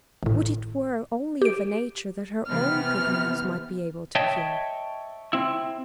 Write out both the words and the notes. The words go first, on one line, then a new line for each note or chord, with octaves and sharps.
Would it were only of a nature that her own good news might be able to cure.
G#1 A2
G4 D7
C3 E3 B3 F6
C#5 D#5 E5 G5 A5
C4 E4